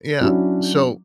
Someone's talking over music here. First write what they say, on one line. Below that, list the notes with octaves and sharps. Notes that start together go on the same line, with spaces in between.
Yeah, so
F#3 C#4 D4 E4 F#4